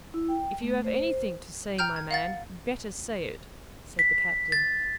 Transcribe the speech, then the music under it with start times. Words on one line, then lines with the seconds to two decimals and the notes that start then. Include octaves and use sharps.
"If you have anything to say, my man, better say it," said the captain.
0.14 E4
0.28 G5
0.61 A3
0.85 C5
1.78 G5 A#5 F6 G6
1.96 G#6
2.11 F5 F#5 A6
3.99 B6
4.52 A6